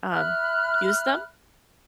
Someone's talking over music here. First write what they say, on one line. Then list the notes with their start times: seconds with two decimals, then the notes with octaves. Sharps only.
um, use them-
0.10 E5 B5 F6 F#6